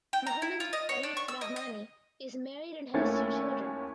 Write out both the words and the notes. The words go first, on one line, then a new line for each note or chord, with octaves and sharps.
Muhammad Arif Rahmani is married and has two children.
G5
A#5
E4
F4
D#5
C#5
D4
C#6
E6
D#5
D#5
D#2 A3 A#3 C#4 E4 A6